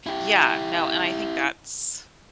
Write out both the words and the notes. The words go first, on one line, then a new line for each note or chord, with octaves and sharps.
Yeah, no, and I think that's
E4 G4